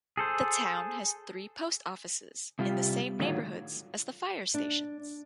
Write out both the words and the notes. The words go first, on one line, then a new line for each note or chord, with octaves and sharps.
The town has three post offices, in the same neighborhoods as the fire stations.
G#4 A4 C5
C3 G3 F4 G4
A2 D3 D#3 F#3 F4
D4